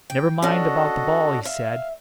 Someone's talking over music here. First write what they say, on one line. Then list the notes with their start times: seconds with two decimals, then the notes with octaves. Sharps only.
"Never mind about the ball," he said.
0.10 G5
0.42 C#4 D4 F#4 A4 D#5
1.45 E5 F5